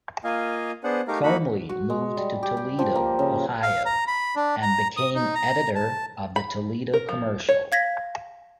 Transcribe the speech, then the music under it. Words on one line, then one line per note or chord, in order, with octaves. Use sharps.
Comly moved to Toledo, Ohio, and became editor of the "Toledo Commercial".
A#3 F4 D#5 F5 G#5
B3 D4 G#4 C5 F#5
A3 D#4 G4 A#4 F5 A#5
A#3 D#4 F#4 B5
F#4
G#3
G3
G4
G5
F3
A#3
C#3
F5
A#5
B5
D4
A#5
D#6
D#4
A#5
A5
B5
A#4
F3
C#5
F5 G#6 A#6 B6